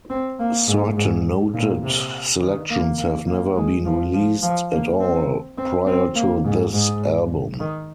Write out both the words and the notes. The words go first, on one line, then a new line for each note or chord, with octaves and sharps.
Certain noted selections have never been released at all prior to this album.
C4
A#3
G#2
G#2
A#2
C3
D#3
A#3
A#3
A#3
G#3
F3
F3
F3
A#3
C4
C4
C4
A#3
G#2
G#2
D#3